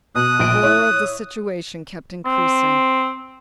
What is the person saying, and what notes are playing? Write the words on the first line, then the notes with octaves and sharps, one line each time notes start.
The horror of the situation kept increasing.
B2 D#6 F#6
A#1 D7
E4 C#5
C4